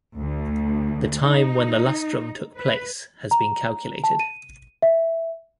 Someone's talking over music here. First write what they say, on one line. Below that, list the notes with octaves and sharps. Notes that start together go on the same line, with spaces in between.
The time when the lustrum took place has been calculated.
D2
D#4
B4
A#5
A5
D#7
E5